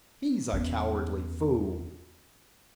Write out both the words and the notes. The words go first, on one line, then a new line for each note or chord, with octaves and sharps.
"He's a cowardly fool!"
E2 C#4